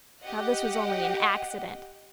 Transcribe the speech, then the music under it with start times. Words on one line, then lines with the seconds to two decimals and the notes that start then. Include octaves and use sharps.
Now, this was only an accident.
0.23 G4 D#5 F#5